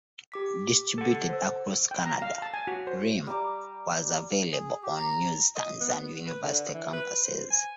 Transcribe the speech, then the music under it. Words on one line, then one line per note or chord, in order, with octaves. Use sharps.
Distributed across Canada, "Realm" was available on newsstands and university campuses.
G4 D6 B6
A4 F#5
C5 E6
G5
A#5
F5
A5
G#5
F#4
C5
G3 A#5 D6
G#4
G4
A#5
D#5
B3
B4
D3
E3
B4
C5
G#5